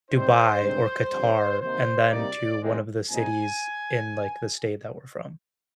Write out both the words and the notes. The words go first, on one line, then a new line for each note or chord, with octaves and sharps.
Dubai or Qatar, and then to one of the cities in, like, the state that we're from.
C3 G3 C4 D#4 C5
G2 D3 G#3 C4 D#4
F2 D3 G3
C3 D#3 A#3 D#4 C5
C3 G3 A#3 D#4 D5
G#2 D#3 G#3 C4
A#2 G#3 C4 D#4 G#5